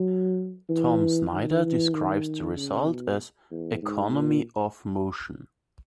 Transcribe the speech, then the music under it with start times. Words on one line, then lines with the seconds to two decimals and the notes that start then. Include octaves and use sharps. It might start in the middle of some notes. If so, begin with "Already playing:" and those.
Tom Snyder describes the result as "economy of motion".
Already playing: F#3
0.69 E3
1.32 D#3
1.63 E3
1.95 D#3
2.57 C#3
2.88 B2
3.51 E2
3.82 G#2
4.14 A#2